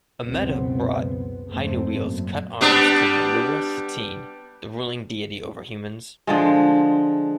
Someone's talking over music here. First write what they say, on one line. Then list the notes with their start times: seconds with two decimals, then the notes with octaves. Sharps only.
Ameta brought Hainuwele's cut arms to "mulua Satene", the ruling deity over humans.
0.23 F#1 C#2 B2 B3 C4
1.49 F2 G#2 A3 C4
1.96 F#2 A#2
2.61 G3 B3 D4
6.27 D3 F3 G#3